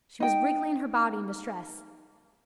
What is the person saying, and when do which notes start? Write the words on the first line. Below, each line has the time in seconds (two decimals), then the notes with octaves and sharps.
She was wriggling her body in distress.
0.20 D#4 G5